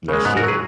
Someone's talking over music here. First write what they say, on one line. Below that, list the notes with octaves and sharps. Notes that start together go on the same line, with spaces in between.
That's true.
C#3 G#3
G#2 B3
F#4 A#4
F#3
G#4 B4